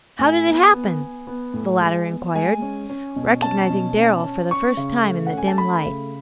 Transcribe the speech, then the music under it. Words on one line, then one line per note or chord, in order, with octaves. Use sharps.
"How did it happen?" the latter inquired, recognizing Darrell for the first time in the dim light.
A2 G#5
B3
B3
B3
B3
A2
G#3
B3
G#3 G#5
C#4
C#4
B2
C#4 A5
B2
C#4
C#4
C#4 C#6
C#3
A3
F#5
C#4
G#5
A5
A3 B5
C#3